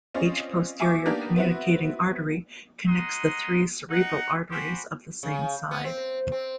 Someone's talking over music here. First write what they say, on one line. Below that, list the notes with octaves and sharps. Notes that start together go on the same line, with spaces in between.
Each posterior communicating artery connects the three cerebral arteries of the same side.
C4 C#4 F4 D5 D#5
E5 G#5 C#6 D6
A#3 B3 D4 D#4 G4 A#4
B3 C4 E4 F#4
G#3 D#4 F#5 A#5 C6 D#6
D#4 F#5
F#4 G4 C5 G#5 B5
C#3
B3
C4
C4